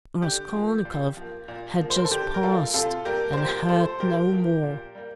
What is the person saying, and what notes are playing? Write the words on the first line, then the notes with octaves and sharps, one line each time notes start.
Raskolnikov had just passed and heard no more.
D3 G4
F3 A#3
A#2
F3 A#3
A#2
F3 A#3
C5
A#4
A4
D3 G4
A#4
G3 A#3 F4 A4
C3 F4 A4
G3 A#3 G4 A#4
C5
A#2 G4 A#4
F3 A3 A4 C5
A#2 G4 A#4
F3 A#3
A#2
G3 A#3